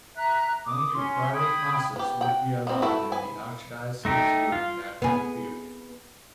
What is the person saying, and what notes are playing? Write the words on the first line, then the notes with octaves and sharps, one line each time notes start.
Only private masses would be allowed in the archdiocese during that time period.
E5 A#5 F#6
D6 D#6
C#4 C6
G5 B5 D#6 G#6
B3 G4
F#5 G5
B3 C4
A3 E4 F#4 A4 B4
B4 G#5
A3 D#4 G4
F4 F5
B3 G#4